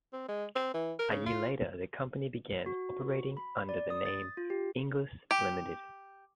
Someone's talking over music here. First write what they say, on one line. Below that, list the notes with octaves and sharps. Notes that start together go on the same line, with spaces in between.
A year later the company began operating under the name, Inglis Limited.
C4
G#3
C4
E3
A#4
C#3
F4
F#4
B5
D5
D#6
A6
F4
G4
G4